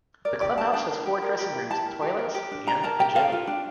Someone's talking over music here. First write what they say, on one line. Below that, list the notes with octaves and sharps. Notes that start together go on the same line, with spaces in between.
The clubhouse has four dressing rooms, toilets and a gym.
A#4 D5
G4 D5
D4 A5
D4 A5
A#4
G4
A#4
G4
E4
E4 A5
A#4
G4
A#4
G4
D4
D4 A#5
A#4 A5
G4 G5
A4 F5
F4
D4